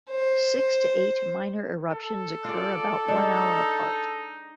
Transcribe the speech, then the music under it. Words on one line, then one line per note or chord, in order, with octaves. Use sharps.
Six to eight minor eruptions occur about one hour apart.
C5
A4
F4 G#4 D5
G#3 D4 D#4